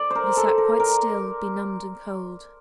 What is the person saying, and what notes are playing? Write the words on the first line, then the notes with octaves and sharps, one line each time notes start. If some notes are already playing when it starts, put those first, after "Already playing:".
But he sat quite still, benumbed and cold.
Already playing: D5
A#4 C5
A4
A#4
A#4